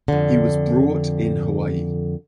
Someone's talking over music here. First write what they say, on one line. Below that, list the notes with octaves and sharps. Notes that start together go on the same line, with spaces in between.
He was brought in Hawaii.
F2 D3